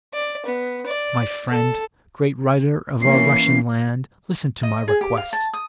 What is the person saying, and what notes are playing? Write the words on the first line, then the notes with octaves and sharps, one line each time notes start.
My friend--great writer of our Russian land, listen to my request!...
D5
B3
D5
A4
E3 A#3 C#4 C7
D#5
G#4
G4
F5
A5
D#6